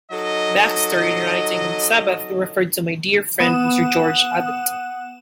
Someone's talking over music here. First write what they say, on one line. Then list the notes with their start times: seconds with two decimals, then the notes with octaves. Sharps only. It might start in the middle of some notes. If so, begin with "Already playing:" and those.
Baxter in writing on the Sabbath referred to "my dear friend Mr. George Abbot".
0.12 F#3 D#4 A4 D#5
3.40 B3 F#5 D#6 E7